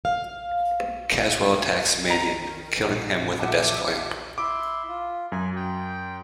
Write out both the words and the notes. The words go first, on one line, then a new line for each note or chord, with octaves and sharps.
Caswell attacks Manion, killing him with a desk lamp.
F5
D#3 A#5
A#2 F3
E5 F#5 A5 D6
E4 E5 C6 D6
F4
F#2 G#5
G5